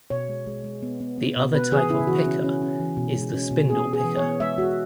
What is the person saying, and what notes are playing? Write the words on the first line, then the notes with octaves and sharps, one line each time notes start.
The other type of picker is the "spindle" picker.
B2 C#5
G#3
G#3
G#3
B3
B3
B3
B2
B3 B4
E3 G#4
C#3 E4
E3 F#4
C#4
C#4
C#4
E3
B2
G#3
C#4
B2
B3 G#4
B3
G#4
E3
C#5
B3
G#3 E5
G#3 F#4